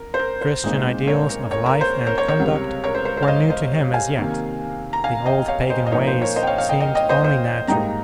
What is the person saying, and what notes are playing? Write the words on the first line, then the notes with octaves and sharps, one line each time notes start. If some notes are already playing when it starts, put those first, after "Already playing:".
The Christian ideals of life and conduct were new to him as yet; the old pagan ways seemed only natural.
Already playing: A#4
C5
A#4
C5
A#2 G#3 C4 D#4
A#4 C#5
A#4
A#4 C#5
A#4
C5
A#4 C#5
A#4 C#5
A#4 C#5
C#2 C3 G3
A#4 C#5
C5
C5
C5
F5
C5 D#5
C5 D#5
F5 G#5
C3 D#3 A#3
A#5
F5 G#5
D#5 G5
C#5 F5
C5 D#5
D#5
A#2 F3 A#3 D#4 A#4 C#5
C5
A#4 C#5
C5 D#5
G5
C#5 F5
C#5 F5
D#5 G5
D#5 G5
D#5 G5
C5 D#5
C5
G#2 G3 A#3 D#4 G5 A#5